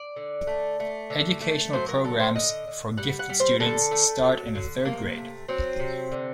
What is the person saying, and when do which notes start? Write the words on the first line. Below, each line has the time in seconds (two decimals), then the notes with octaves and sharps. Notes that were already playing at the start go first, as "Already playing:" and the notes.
Educational programs for gifted students start in the third grade.
Already playing: D5
0.16 D3
0.47 A3
0.80 A3
1.10 D3
1.41 A3
1.73 F#3 C5
1.89 A#4
2.04 D3 A4
2.20 C5
2.36 D3 D#5
2.67 D3
2.97 G3 F#5
3.19 F#5
3.29 G3
3.40 C5
3.60 D3 A4
3.91 A3
4.23 F#3
4.55 D3
4.85 C3 A#3
5.18 A3
5.48 F#3 C4
5.79 C3
6.12 D3